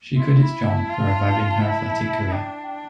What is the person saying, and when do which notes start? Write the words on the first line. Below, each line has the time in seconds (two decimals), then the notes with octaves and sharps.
She credits John for reviving her athletic career.
0.17 E4 C6
0.41 B5
0.65 A5
0.88 F4
1.61 E4
2.32 D4 G5
2.68 G5